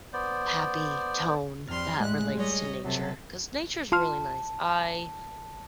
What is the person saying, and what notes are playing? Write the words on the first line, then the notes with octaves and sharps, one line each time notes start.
happy tone that relates to nature 'cause nature is really nice. I
B3 C5 D5
F2 G3 C6 F6
A2 G#3 F#6
G3 C#5 D#5
C3 F#3 A4
F4 A5 C6 F6